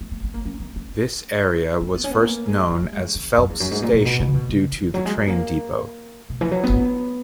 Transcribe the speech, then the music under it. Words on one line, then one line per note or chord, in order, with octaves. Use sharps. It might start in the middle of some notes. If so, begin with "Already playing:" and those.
This area was first known as Phelps Station due to the train depot.
B3
B3
B3
A#3
C#4
B3
C#4
C#4
B3
C#4
B3
A#3
G#3
A#3
A#3
G#3
C#3
E2
F#2
E2
F#2
G#2
A#2
A#2
B2
C#3
B2
C#3
D#3
F#3
G#3
G#3
A#3
B2
E3
F#3
B3